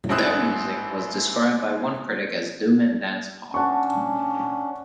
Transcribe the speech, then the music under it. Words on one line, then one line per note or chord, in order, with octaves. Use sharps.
Their music was described by one critic as doom-and-dance-pop.
A1 G#2 C4 E4 D#6 F#6
C#4 D4 F#5 A5 C#6